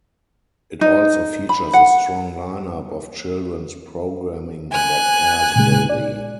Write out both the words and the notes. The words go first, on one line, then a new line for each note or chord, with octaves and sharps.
It also features a strong lineup of children's programming that airs daily.
D#4
B5
F#5
G#5 F#6
A#2 C#3 G#3
D5